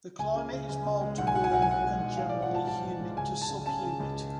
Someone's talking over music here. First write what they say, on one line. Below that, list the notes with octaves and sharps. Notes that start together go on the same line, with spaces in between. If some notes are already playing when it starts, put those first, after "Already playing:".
The climate is mild to warm and generally humid to sub-humid.
C#2 G#5
C#3
C#3
C#2
C#2
G#3
B1 F#5
G#5
B1 F#5
G#5
B1 F#5
G#5
B1 F#5
G#3
B1
A1 F5
D5
F3
F#5
G#2 A5
F3 A5
A1
G#2
C#2 G#5
C#2
A5
C#3
C#3 A5
C#3
C#2